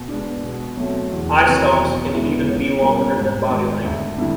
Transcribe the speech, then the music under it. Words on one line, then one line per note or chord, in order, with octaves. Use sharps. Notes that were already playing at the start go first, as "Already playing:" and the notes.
Eyestalks can even be longer than body length.
Already playing: B2
G#3 B3 D4
B2
F#3 A3 C4
E2
C3 D#3 F#3
B2
G#3 B3 E4
C#2
B2 G3 A#3 C#4
G#2
D#3 G#3
D2
D3 G3 C4 E4